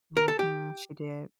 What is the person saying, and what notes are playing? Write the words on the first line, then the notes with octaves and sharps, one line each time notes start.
Mhm. She did.
A#4
A4
G4